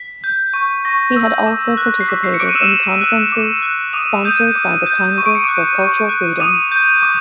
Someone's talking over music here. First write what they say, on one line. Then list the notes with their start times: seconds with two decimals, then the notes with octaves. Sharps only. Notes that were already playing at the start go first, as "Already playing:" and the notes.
He had also participated in conferences sponsored by the Congress for Cultural Freedom.
Already playing: B6
0.24 G6
0.53 C#6
0.85 C#6 A#6
1.16 E6
1.46 D6
1.77 F#6
2.00 C7
2.08 D6 B6
2.24 C7
2.34 C#7
2.40 D6 F#6 D7
2.49 D#7
2.55 E6 E7
2.70 D6
3.01 F#6
3.32 D6
3.62 F#6
3.93 D6 D#6 D#7
4.25 D#6 G6 D#7
4.55 D6
4.86 G6
5.18 C#6 D#7
5.26 D7
5.35 C#7
5.44 D6 F#6 D7
5.79 C#6
6.09 F#6
6.40 D6 D#6 D#7
6.72 G6
7.03 D6